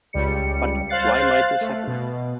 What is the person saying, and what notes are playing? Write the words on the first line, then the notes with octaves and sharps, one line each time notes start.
But, why might this happen?
C#2 G3 C#7
C5 F5 F#6 A6 C7
A3
B2